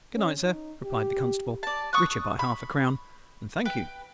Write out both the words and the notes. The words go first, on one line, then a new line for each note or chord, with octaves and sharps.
"Good-night, sir," replied the constable, richer by half-a-crown--"and thank you."
C#4
D#4
G4
D5 A5
C#6 D#6 E6 F#6
B5
B4 G5